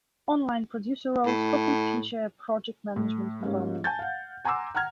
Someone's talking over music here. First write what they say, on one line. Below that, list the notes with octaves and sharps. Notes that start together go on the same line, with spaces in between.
Online producer roles often feature a project management component.
A2
A2
G#2 G3 A#3 C#4
G#5 A5 G6 A6
F5 F#5
F#5 G#5 A#5 C6 D6 E6
F#5 G5 A#5 F6 G#6